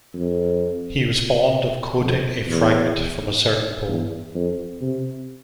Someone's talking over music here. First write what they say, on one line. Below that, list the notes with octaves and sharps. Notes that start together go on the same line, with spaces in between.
He was fond of quoting a fragment from a certain poem.
F2
F2
E2
E2
F2
C3